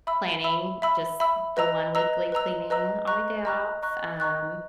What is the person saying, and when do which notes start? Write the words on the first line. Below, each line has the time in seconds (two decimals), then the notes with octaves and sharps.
planning just the one weekly cleaning on my day off, um,
0.07 E5 B5 E6
0.44 E5 B5 E6
0.82 E5 B5 E6
1.20 E5 B5 E6
1.57 B4 D#5 A#5 E6
1.95 B4 D#5 A#5 E6
2.32 B4 D#5 A#5 E6
2.70 B4 D#5 A#5 E6
3.07 D#5 A#5 C#6 F#6
3.45 D#5 A#5 C#6 F#6
3.83 D#5 A#5 C#6 F#6
4.20 D#5 A#5 C#6 F#6